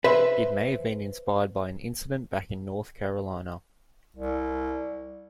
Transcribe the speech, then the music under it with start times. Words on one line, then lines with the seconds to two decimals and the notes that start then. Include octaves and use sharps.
It may have been inspired by an incident back in North Carolina.
0.04 B4 C5 E5
4.16 C2